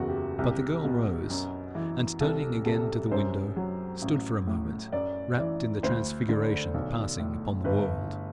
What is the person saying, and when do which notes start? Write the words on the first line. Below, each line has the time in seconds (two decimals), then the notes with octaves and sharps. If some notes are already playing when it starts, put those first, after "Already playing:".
But the girl rose, and, turning again to the window, stood for a moment rapt in the transfiguration passing upon the world.
Already playing: F#1 E2 F#4
0.09 G4
0.38 C2 G4
0.84 B2
1.30 F#2
1.75 E3
2.21 C2 A4
2.66 C3 A4
3.11 F#2 C5
3.56 F#3
4.02 A1
4.47 A2
4.92 F#2 D5
5.38 E3 D5
5.83 D2 C5
6.29 D3
6.74 B1
7.19 A2
7.64 G1 B4